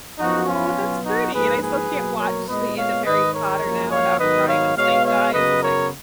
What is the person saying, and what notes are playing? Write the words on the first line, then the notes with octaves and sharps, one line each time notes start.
"Aw, that's pretty." And I still can't watch the end of Harry Potter now without crying when Snape dies, it's like,
F#2 F3 B3 D#4 F#4
C#4 F4
B2 F#3 B3
D#4 F#4
G#2 F3 A#3 G#4 B4
G#4 B4
B2 F#3 A#3
A#4 C#5
A#2 G#3 B3 B4 D#5
C#5 F5
G#2 D#3 G#3 B4 D#5
A#4 C#5
F#2 F3 A#3
C#5 F5
G#2 D#3 F#3 B3 B4 D#5
C#5 F5
B2 G#3 B3 C#5 F5
C#5 F5
F#2 C#3 F#3 B3 B4 D#5
A#4 C#5